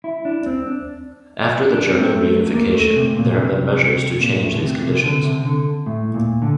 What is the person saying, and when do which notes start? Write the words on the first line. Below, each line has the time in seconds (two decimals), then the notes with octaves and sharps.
After the German reunification there have been measures to change these conditions.
0.04 E4
0.25 D4
0.46 C4
0.66 D4
1.70 D4
1.91 C4
2.12 A3
2.54 A#3
2.75 A3
2.96 C3
3.16 A#2
3.37 C3
4.20 A#2
4.41 A2
4.54 D3
4.62 C3
4.83 C3
5.04 D3
5.24 C3
5.45 D3
5.86 A2
6.14 A#2
6.42 D3